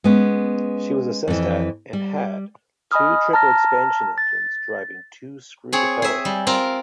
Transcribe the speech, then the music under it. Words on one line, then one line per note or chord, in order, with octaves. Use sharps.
She was assessed at and had two triple expansion engines driving two screw propellers.
G#3 B3 C#4
F2 E3
G3
D#5 G#5 B5 D#6 F6
A5 A#5 F6 A#6
A6
C4 G#4 C#5
G#4 E5
G3
C4 F4 A#4